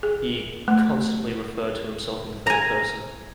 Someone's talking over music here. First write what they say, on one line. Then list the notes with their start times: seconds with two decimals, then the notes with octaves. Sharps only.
He constantly referred to himself in the third person.
0.03 G#4
0.68 A3
2.47 G#5 A#5